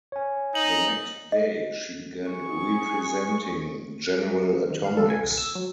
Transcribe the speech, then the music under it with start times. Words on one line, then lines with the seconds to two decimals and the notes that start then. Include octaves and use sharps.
The next day, she began representing General Atomics.
0.12 C#5 G#5
0.55 D#4 F#7
1.32 D#5
2.31 G#4 C#6
4.70 D#3
4.85 F5
4.97 A4
5.10 G#5
5.24 B1
5.38 E6
5.55 F#3